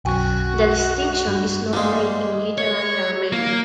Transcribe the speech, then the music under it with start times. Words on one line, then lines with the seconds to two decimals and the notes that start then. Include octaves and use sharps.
The distinction is not made in literary Armenian.
0.05 B1 F#2 F#4 G5 G#5 C#6
1.28 G2
1.73 G#2 G3 G#3 A#3 C6
2.58 C#5
3.32 A#3